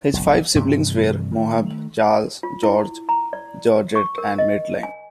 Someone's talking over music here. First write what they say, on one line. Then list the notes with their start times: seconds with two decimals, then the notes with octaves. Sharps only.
His five siblings were Moheb, Charles, George, Georgette and Madeline.
0.13 F#1 B1
0.55 G2 C3 E3 G3
1.32 D#3 A3
2.43 F4
2.63 E4
3.09 A#5
3.33 D5
3.95 C#6
4.18 A#4
4.38 D#5
4.83 G#5